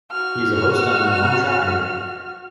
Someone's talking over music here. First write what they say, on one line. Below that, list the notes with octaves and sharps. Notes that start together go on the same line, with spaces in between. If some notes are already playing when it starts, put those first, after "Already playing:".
He is a host on the Home Shopping Network.
F#4 F6